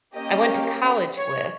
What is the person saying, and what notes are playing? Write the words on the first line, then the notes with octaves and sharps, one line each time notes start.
I went to college with,
A#3 C#4 G4 D#5
C#5